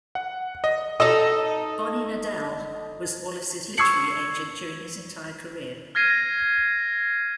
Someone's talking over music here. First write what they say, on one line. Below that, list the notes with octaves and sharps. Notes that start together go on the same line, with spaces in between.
Bonnie Nadell was Wallace's literary agent during his entire career.
F#5
D#5
D#4 A4 D#5
C#6 E6 G#6 C7 C#7 F#7
F6 G#6 A#6 C7 D#7